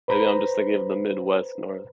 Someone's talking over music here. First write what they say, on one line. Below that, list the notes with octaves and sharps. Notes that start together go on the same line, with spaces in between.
maybe I'm just thinking of the Midwest North,
B4 C5 A#5 B5